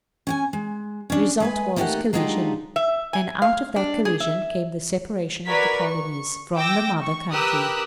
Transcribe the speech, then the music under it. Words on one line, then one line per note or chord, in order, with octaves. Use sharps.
The result was, collision; and out of that collision came the separation of the colonies from the mother-country.
C#4 G5 G#5
G#3
C#4 D4
G#3 B4 G#5
A3 A#3 D#4 G4 A4 F#5
F#3 G#3 D4 D#4 F4 G4
E5
G#5
F5
D4
G#4
E5
F#4 A#4 B4 D5 G#6 B6
C#6
G5 D6 E6 A#6
C#6
G4 A#4 B4 D#6 E6 F#6